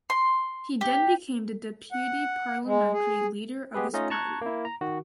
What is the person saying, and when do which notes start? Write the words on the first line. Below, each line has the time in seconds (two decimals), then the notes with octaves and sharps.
He then became the deputy parliamentary leader of his party.
0.10 C6
0.81 G4
1.92 F#5
2.66 G#3
2.93 G#4
3.74 G#3 B3 G4 G#4 B4
3.93 A3 C#4 D#4 F4 D#5
4.10 A5 A#5 C#6 F#6 G#6
4.41 A#3 E4
4.65 A#5
4.81 D#3 F#4